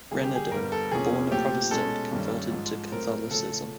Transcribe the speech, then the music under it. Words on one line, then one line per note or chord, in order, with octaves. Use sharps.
Renaudot, born a Protestant, converted to Catholicism.
D3 G3 A#3 G#4
G4
G#4
G2 D3 G3 B3 A#4
A4
E2 C3 F3 A#3 C#4 G#4
A#2 F3 A3 C4 G4
B2 G#3 C#4 A4
G2 D#3 G3 A#3 C#4
G#2 F3 G#3
A2 F#3 A3 C4 A#4
C#3 F3 A3 A4